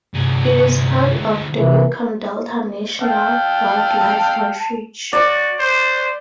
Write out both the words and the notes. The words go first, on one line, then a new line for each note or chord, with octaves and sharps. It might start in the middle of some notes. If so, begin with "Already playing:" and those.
It is part of the Yukon Delta National Wildlife Refuge.
D2 G2 C3 G#4
G#3
C3 E3 A#4
F5 G5 A5
F#4 D5
C5